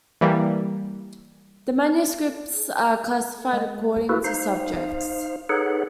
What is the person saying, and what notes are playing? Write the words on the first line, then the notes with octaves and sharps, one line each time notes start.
The manuscripts are classified according to subjects.
E3 G3 A#3
G#3
A#3 E4 F#4 A4 B4
D#4 C5 F5
D#4 G#4 A4 B4 C#5 F#5